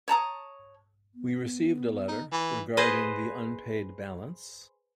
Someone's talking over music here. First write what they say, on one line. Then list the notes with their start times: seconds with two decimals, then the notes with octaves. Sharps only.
We received a letter regarding the unpaid balance.
0.08 C#5 A5 A#5 D#6
1.15 B3
2.08 D#4
2.32 E3
2.77 G#4 B4 C5 D#5